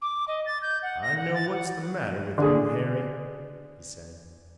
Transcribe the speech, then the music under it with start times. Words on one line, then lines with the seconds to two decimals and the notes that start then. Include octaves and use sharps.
"I know what's the matter with you, Harry," he said.
0.02 D6
0.28 D#5
0.46 A6
0.62 G6
0.83 F#5
1.02 A#6
1.17 F#5
1.34 A6
1.52 F#5
2.38 D3 G#4